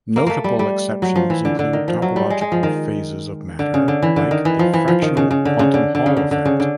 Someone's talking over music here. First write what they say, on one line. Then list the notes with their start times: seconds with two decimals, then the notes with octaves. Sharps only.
Notable exceptions include topological phases of matter like the fractional quantum Hall effect.
0.16 A#3
0.27 A3 A#3
0.44 G3
0.59 G3
1.02 F#3
1.16 F3
1.30 E3
1.45 D3
1.59 D3
1.73 D#3
1.88 F3
2.02 F#3
2.16 G3
2.30 G#3
2.41 G#3
2.52 F3
2.63 D#3
3.59 D3
3.74 C#3
3.88 D3
4.02 E3
4.16 D3
4.31 D#3
4.45 E3
4.59 F3
4.73 E3
4.88 F3
5.02 D#3
5.17 C#3
5.31 C#3
5.45 D3
5.59 C#3
5.74 D3
5.95 D3
6.06 C#3
6.17 D3
6.31 D3
6.45 C#3
6.60 D3